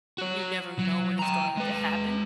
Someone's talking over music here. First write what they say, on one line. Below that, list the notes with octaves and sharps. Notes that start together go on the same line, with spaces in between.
you never know when it's going to happen,
F#4 C#5
F#3
G5 A#5
G#3 B4